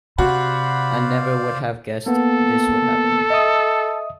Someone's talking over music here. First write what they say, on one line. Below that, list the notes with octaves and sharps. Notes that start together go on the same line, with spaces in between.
I never would have guessed this would happen.
C3 F#4 C5 D5 F5 B5
A#3 B3 A4
D#5 E5 D#6